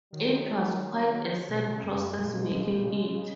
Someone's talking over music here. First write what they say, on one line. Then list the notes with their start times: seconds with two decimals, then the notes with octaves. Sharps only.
It was quite a sad process making it.
0.13 D#3 F#3
1.49 B2
1.67 C#3
1.84 F#2
2.02 F#2
2.18 A#2 G#3
2.35 B2
2.53 D#3
2.70 A#2
2.86 C#3 G#3